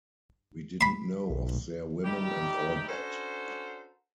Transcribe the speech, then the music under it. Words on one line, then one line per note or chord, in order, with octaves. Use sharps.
We didn’t know of their women and all that!
B5 C6
B1
G3 A3 D#4 G4
C#4 D4 F#4 A4 A#4 C5